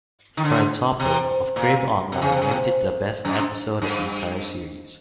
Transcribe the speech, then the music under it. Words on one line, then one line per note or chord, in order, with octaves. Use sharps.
Fred Topel of Crave Online named it the best episode of the entire series.
D#3
D3
C3
A#2
C3
C#3
C3
C#3
C3
F#2
G2